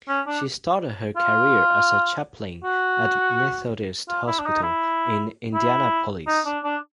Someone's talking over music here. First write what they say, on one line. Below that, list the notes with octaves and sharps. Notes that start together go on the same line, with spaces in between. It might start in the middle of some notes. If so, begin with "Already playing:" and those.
She started her career as a chaplain at Methodist Hospital in Indianapolis.
C#4
D4
F4
F#4
F4
E4
D4
D#4
E4
E4
D#4
D4
D4